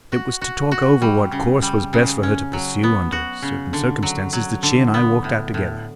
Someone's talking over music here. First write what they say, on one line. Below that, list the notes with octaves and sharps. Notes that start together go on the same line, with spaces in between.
It was to talk over what course was best for her to pursue under certain circumstances that she and I walked out together.
F#4
F#4
F#4
G3
C#3
G3
C#3
C#4
F#3
B3
F#4
C#3
D3
F#3
F#3
D3
B3
A2
A2